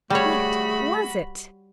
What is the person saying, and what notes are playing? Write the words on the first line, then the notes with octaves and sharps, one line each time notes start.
What was it?
G3 A3 F#4 G#4 C#5 B5